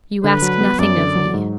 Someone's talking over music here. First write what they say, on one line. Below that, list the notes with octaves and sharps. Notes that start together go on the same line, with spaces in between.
'You ask nothing of me.
D3 B4
F#3
B3
F#2 D5
D3
F#3
G#2